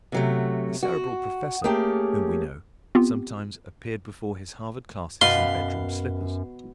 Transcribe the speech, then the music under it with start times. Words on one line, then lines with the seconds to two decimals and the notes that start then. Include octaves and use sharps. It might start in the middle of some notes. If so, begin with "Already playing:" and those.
A Cerebral professor whom we know sometimes appeared before his Harvard classes in bedroom slippers.
0.12 C3 F#3 A3
0.83 F#4
1.64 A3 A#3 C#4 G4 G#4
2.95 B3 C4 F4 G4
5.21 F#2 B2 B4 F5 C6